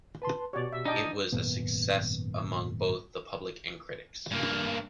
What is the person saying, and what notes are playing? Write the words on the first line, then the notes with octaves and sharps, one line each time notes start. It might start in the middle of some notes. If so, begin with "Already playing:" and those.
It was a success among both the public and critics.
B4 A5 C6
B2 F#4 G4 C#5 D5
E5
D4 D#4 D#5 G5
G#1 F#2 A#2 B3
G2 A#3